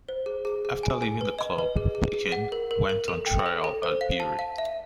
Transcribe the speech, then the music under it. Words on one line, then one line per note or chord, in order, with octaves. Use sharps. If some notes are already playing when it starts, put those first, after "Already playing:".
After leaving the club, Picken went on trial at Bury.
C5
G#4
G#4
G#4
G#5
G#5
B4
D#5
B4
G#4
G#4
G#4
F#5
A#4
A#4
A#4
A4
G5
A4
A4
C5
F5
A5
F5
E5